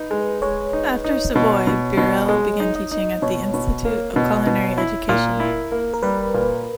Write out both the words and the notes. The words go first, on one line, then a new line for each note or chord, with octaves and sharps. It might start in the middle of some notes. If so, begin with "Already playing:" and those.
After Savoy, Burrell began teaching at the Institute of Culinary Education.
Already playing: D#4 B4
G#3
G#3 C#5
D#4
D#4
B2
B2
B2
G#3 D#5
D#4
D#5
D#4
B2 C#5
B2
A#3
B2
B2
E4
A#2 A#4
E4
A#3
A#4
G3 B4
A#2